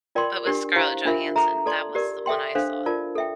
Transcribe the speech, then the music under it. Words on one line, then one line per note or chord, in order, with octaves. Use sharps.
But was Scarlett Johansson, that was the one I saw
F4 A#4 D5 G5 C6
D4 G4 A#4
E4 G4 C5 F5
D4 F4 A#4 E5
A4 E5 A#5
A4 D5 A5 C6
G4 A#4 D5
A4 E5 G5 C6
D4 A4 C5 F5
F4 A#4 D5 A5
A4 E5 G5